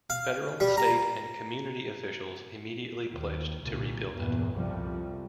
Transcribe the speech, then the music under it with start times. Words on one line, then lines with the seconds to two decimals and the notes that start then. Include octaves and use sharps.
Federal, state, and community officials immediately pledged to rebuild it.
0.10 F5
0.60 G3
0.77 A#5
3.11 D#2
3.63 C2 A#2 D3
4.13 E2 G2 A#2
4.54 C2 F2 C3 F3 G3